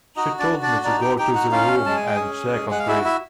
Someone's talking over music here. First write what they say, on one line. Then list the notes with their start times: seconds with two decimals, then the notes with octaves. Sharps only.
She told me to go to the room and check on Chris.
0.16 D#4 F#4 D#5
0.39 D4 D5
0.51 F#4
0.62 D4 D5
0.84 D4 D#4 D5
1.01 G4 G5
1.18 D#4 G4 G5
1.35 F#4 F#5
1.52 C#4 F4 F5
1.86 G#3 A5
1.96 G#5
2.06 G5
2.16 C#4 G#4 G#5
2.54 G#3
2.71 F#5
2.79 F5
2.88 E4 F#4 E5
3.04 E4 E5